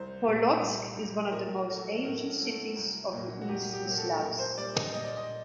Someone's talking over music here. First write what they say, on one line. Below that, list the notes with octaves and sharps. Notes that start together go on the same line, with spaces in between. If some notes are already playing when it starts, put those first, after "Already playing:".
Polotsk is one of the most ancient cities of the Eastern Slavs.
Already playing: C2 C5
A#2 G3
C2
A#2 G3
A2 A#4
F#3 A3
A2 A#4
F#3 A3
C2
A#2 F#3 A#3
F#4
C2 G4
G4
A#2 F#3 A#3
A4
A#2 A#4
C5
G3 A#3 D5
D#5
A#2 D#5
D5
D#5